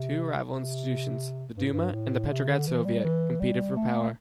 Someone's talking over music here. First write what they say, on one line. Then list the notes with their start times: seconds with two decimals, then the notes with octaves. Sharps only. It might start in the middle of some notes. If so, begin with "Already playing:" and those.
Two rival institutions, the Duma and the Petrograd Soviet, competed for power.
Already playing: C3
0.48 C3
1.57 G2
1.65 A2
1.73 G2
1.93 A2
2.31 C3
2.48 D3
2.67 E3
2.85 G3
3.04 E3
3.40 G3
3.77 A3